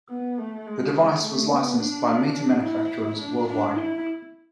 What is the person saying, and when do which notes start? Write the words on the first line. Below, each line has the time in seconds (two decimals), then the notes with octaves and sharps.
The device was licensed by meter manufacturers worldwide.
0.10 B3
0.39 A3
0.67 G#3
1.22 A3
1.51 B3
1.80 D4
2.65 E4
3.20 D4
3.49 D4
3.76 E4